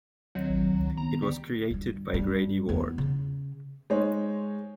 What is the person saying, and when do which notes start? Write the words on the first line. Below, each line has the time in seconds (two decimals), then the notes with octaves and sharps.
It was created by Grady Ward.
0.35 D2 D#3 F#3 C4
0.49 A1
0.68 C#2
0.97 D#3 B3 A#5
1.22 D3 G3
1.70 G2 D3
2.14 G2
2.69 E2 B3
2.98 C#3
3.90 G#3 D#4 C5 C#5